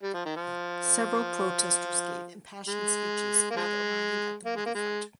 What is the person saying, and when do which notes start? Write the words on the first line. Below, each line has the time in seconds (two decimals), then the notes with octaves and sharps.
Several protesters gave impassioned speeches after arriving at the waterfront.
0.03 G3
0.14 F3
0.25 D#3
0.36 F3
2.68 G#3
3.51 A#3
3.56 F3 G#3
4.46 A#3
4.56 G#3
4.66 A#3
4.75 G#3